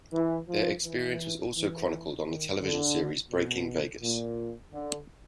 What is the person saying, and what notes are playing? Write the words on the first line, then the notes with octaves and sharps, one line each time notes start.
Their experience was also chronicled on the television series Breaking Vegas.
E3
F3
E3
E3
D#3
D3
B2
A#2
D3